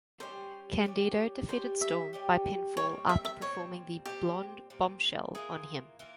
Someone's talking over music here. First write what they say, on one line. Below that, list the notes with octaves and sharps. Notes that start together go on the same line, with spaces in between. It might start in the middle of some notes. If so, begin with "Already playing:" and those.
Candido defeated Storm by pinfall after performing the "Blonde Bombshell" on him.
G3 C#4 G4 C5
G3 C#4 G4
G3 C#4 G4 C5
E5
G3 C#4 G4
A#2 G3 C4 C#5
E5
E5
A#2 G3 C4 C#5
A#2 G3 C4 G4
A#2 G3 C4
E3 A#3 F4 G#4
E3 A#3 F4